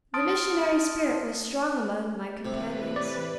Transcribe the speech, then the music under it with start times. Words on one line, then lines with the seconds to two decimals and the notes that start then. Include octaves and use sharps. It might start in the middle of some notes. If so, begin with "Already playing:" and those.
The missionary spirit was strong among my companions.
0.14 A5 C6 D#6 F6 A6 D7
2.45 A2 C3 E3 B4
2.96 D5